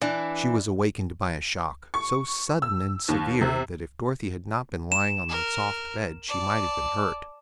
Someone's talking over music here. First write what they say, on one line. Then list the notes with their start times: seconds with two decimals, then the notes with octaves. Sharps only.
She was awakened by a shock, so sudden and severe that if Dorothy had not been lying on the soft bed she might have been hurt.
0.02 E3 D4
1.94 C#6
2.62 E6
3.08 D#2
3.41 C3
4.92 E7
5.29 A#4
6.28 D5 A5